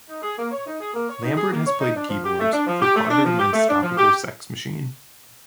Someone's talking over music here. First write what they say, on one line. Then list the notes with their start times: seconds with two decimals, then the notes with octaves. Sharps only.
Lambert has played keyboards for Carter the Unstoppable Sex Machine.
0.08 D#4
0.22 G#4
0.37 A#3
0.51 C#5
0.66 D#4
0.80 G#4
0.94 A#3
1.09 C#5
1.23 D#4
1.38 G#4
1.52 A#3
1.66 C#5
1.81 D#4
1.95 D4
2.09 F3
2.24 G4
2.39 A3
2.53 D4
2.67 F3
2.82 G4
2.96 A3
3.11 D4
3.25 F3
3.39 G4
3.53 A3
3.68 D4
3.82 F3
3.97 G4